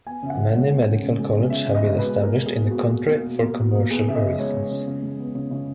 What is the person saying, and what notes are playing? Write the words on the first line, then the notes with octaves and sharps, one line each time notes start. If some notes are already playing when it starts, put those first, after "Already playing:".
Many medical colleges have been established in the country for commercial reasons.
B3 G#5
C#3 E5
F#5
C#3
G#3 C#5
B3
C#3
C#3
G#3
B3
C#3 E5
C#3
D#5
G#3
B2 B4
A#3
A#4
B2
A#3 G#4
B2
F#4
A#3
B2
A#3
B2
A#3
B2
A#3
B3 G#4
C#3 E5
D#5
C#3
G#3 C#5
B3
C#3
C#3
G#3
B3
C#3
C#3